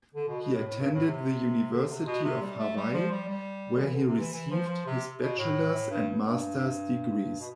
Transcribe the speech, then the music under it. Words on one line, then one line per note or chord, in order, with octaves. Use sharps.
He attended the University of Hawaii, where he received his bachelor's and master's degrees.
D3
B2
B2
A2
A2
G2
A2
C3
D3
C3
B2
C3
G3
A3
G3
F3
G3
G3
D3
E3
D3
C3
E3
E3
F3
F3
C3
B2
A2
G2
G2
B2